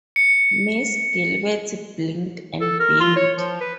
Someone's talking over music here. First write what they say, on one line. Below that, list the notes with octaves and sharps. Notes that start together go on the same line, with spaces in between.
Mrs. Gilbert blinked and beamed.
C#7
A4
A#4
F4
C#5
F3
B4